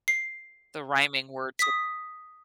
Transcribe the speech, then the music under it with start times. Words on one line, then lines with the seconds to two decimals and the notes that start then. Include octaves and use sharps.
the rhyming word, too?
0.08 C7
1.59 D#6 B6